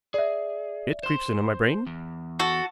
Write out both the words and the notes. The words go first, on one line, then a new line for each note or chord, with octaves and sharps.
"It creeps into my brain."
G#4 D5 E5
C5 C6 E7
E2
F#4 A4